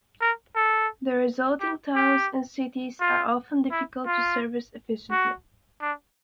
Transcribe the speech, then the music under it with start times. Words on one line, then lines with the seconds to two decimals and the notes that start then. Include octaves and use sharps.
The resulting towns and cities are often difficult to service efficiently.
0.21 A#4
0.56 A4
1.61 G4
1.96 G4
3.01 F4
3.71 E4
4.06 F4
5.11 F#4
5.82 D4